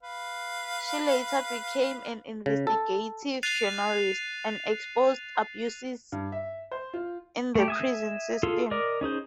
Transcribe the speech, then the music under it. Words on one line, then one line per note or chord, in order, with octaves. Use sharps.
She later became an investigative journalist, and exposed abuses in the prison system.
B4 F5
C#3
A4
F#6 A6 C7 D#7 F7
G2
E5
C5
F4
A3 G4
E5 G#5 D#6
F4 G#4 A4
A#4 D5 D#5
C#4 D#4 G#4 C5